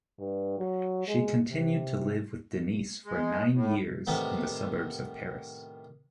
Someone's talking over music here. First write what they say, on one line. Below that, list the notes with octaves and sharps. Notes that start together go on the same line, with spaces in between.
She continued to live with Denise for nine years in the suburbs of Paris.
G2
F#3
G#3
C3
G#3
A2
A2 C3 D#3 G3 B3